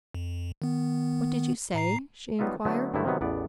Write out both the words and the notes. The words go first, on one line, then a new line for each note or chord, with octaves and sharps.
"What did you say?" she inquired.
F2
D#3 B3
A2 A#5 C7
F#3 G3 B3 D#4 F4 E5
D3 F#3 A3 B3 E4
G2 D3 D#3 F#3 A3 E4
C3 D#3 F#3 B3
A1 E2 B3 D5